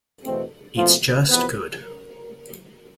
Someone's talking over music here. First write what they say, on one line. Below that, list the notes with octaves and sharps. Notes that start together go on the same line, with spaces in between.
It's just good.
E2 B2 A3 C4
B2 F3 A3 C4 F4
E2 C3 F3 B3 B4